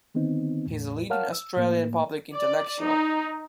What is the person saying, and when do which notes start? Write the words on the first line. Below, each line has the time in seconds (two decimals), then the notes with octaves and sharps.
He is a leading Australian public intellectual.
0.15 D3 D#3 B3 C4 D#4
0.67 E2 A2
1.10 A#4 C#5 F5 F#5 A5 F6
1.33 E6
1.57 A2 A#3
2.33 D5
2.82 D#4